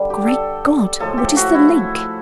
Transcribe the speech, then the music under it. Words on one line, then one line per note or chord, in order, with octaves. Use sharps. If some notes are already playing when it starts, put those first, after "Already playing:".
Great God! what is the link?
Already playing: G2 D3 G3
G4
A4
A2 F3 G#3 A4
G4
F#4
E4